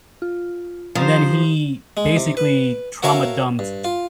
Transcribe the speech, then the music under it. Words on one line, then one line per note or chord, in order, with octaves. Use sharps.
And then he basically trauma-dumped
F4
F3 G4 C5 F5 A#5 D#6
G#3
C3
B4
F#4 A4 A#4 C#5 E5 F5
G2
F4